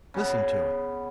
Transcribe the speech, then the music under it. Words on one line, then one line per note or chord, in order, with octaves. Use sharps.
Listen to it!
C#3 B3